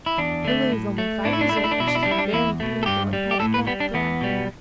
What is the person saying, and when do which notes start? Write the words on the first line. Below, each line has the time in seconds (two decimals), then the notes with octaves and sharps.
Lily is only five years old and she is very beautiful and had nut-brown hair.
0.06 E4
0.18 E2 D4
0.45 D3 A3
0.72 A2
0.98 A3
1.25 A2 D4
1.33 E4
1.41 D4
1.49 E4
1.52 A3 D4
1.64 E4
1.71 D4
1.79 B2 E4
1.88 D4
1.95 E4
2.03 D4
2.06 G3
2.11 E4
2.19 D4
2.33 E2 E4
2.60 B2 A3
2.83 A4
2.86 G2 G4
3.13 G3
3.31 G4
3.40 A2 A4
3.54 B4
3.67 G3 B3
3.80 D4
3.94 E2 B3
4.21 B2 G3